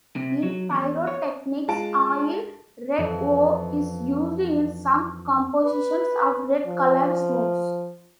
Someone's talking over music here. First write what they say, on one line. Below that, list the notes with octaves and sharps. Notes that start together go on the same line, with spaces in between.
In pyrotechnics, Oil Red O is used in some compositions of red colored smokes.
C3
F#3
E2
C#5
G#3 F4 A5 D7
F2 E3
B4
F3